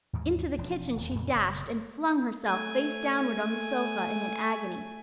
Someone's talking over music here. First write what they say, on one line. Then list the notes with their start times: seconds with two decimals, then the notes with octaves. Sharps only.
Into the kitchen she dashed and flung herself face downward on the sofa in an agony.
0.13 D#2 G#2 E3
0.58 E1 F3 C4 D4
0.96 D#1 E2 A#2 D#3
1.15 F2 A#2 C#3 E3
1.35 F#1 B2
2.46 A3 G#5